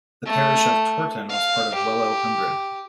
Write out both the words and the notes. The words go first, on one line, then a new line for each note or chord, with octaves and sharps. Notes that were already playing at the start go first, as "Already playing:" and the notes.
The parish of Twerton was part of the Wellow Hundred.
A3
F5
G4